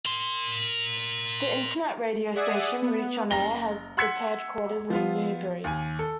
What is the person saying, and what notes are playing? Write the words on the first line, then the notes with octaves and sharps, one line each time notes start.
The internet radio station Reach OnAir has its headquarters in Newbury.
A#4 C6
G#4 D5 E5 F#5 G#5 D#6
B3
F#1 A#5 A#6 G7
F#5 C6 E6 G#6 B6 C#7
F3 B3 F4
D#2 G#5
A4